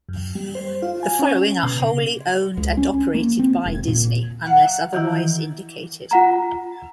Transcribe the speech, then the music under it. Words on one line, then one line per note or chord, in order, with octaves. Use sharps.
The following are wholly owned and operated by Disney, unless otherwise indicated.
F#2
G3
C5
F4
G#5
C#4
B2
C#3
C#2
C#4
A#3
C4
E1
A#2
F#3 F5 F#5
D#3 E3 E4 A#4
F4 F#5 A#5